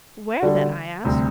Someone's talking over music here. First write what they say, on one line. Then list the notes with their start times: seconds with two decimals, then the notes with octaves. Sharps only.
"Where then?" I asked.
0.42 D3 G3 D4 F#4 A4
1.05 D2 C3 G3